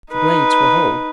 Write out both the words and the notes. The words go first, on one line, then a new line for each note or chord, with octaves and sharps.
The blades were whole.
D#4 B4